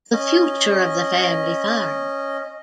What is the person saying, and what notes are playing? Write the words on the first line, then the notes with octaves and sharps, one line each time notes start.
The Future of the Family Farm.
C#4 D#5